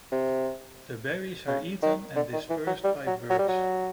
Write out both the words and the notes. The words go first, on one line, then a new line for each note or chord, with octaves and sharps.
The berries are eaten and dispersed by birds.
C3
C#3
D#3
D3
D#3
E3
F#3
G3
F#3
F#3
G3
F#3